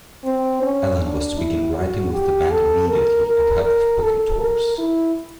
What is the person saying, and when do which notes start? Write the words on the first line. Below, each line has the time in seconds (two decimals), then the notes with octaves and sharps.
Allen was to begin writing with the band immediately and help with booking tours.
0.24 C4
0.62 C#4
1.01 D4
1.38 E4
1.76 F#4
2.14 G4
2.51 A4
2.89 A#4
3.27 A#4
3.65 A#4
4.02 A4
4.40 A#4
4.78 E4